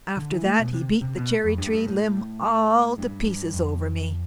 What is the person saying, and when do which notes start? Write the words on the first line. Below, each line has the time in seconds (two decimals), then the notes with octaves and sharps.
After that he beat the cherry-tree limb all to pieces over me.
0.17 D3
0.31 E3
0.45 A3
0.59 B2
0.73 C3
1.02 C3
1.16 B2
1.44 F2
1.58 G2
1.72 G2
1.86 A2
2.98 G2
3.27 G2
3.54 F2